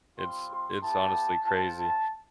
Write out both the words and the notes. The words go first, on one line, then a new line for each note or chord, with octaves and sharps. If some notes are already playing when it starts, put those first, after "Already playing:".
it's it's honestly crazy,
G3 C4 F4 C6
C6
B3 E4 G4 A5
C4 F4 A5
A5